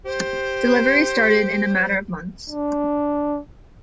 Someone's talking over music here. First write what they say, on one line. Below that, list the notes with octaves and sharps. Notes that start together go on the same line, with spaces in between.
Deliveries started in a matter of months.
G4 C5
D4